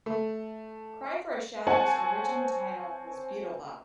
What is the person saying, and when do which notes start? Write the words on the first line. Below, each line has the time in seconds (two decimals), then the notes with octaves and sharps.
"Cry for a Shadow"'s original title was "Beatle Bop".
0.06 A3
1.67 C4 C#5 F#5 G#5 A5